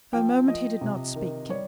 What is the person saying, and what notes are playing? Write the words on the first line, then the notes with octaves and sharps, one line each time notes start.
For a moment he did not speak.
F3 G5
F3 D#5
C3
D#3
G3 C#5